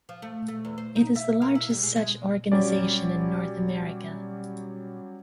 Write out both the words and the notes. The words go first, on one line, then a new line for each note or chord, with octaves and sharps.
It is the largest such organization in North America.
F3
A3
A3
E2
C5
D#4
E5
A#3
E4
G3
G#3
G#3
F#3 G3 C#4 D5